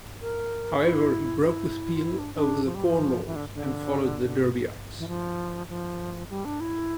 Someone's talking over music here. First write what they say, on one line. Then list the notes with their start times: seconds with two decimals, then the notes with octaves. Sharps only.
However, he broke with Peel over the Corn Laws and followed the Derbyites.
0.22 A#4
0.82 E4
1.44 E4
1.96 F4
2.04 E4
2.19 D4
2.35 D4
2.65 F3
2.75 G3
2.85 F3
3.26 E3
3.36 D3
3.54 D3
4.99 E3
5.08 F3
5.69 F3
6.30 G3
6.45 D4
6.60 E4